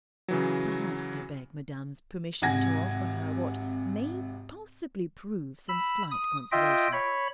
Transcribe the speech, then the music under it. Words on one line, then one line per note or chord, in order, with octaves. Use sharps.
"Perhaps to beg madame's permission to offer her what may possibly prove some slight consolation."
C#3 E3 F#3
G#1 C3 F#5 G#5 G#6 A#6
B5 E6
D#6
F4 D#5 E5 G5
C#5 B5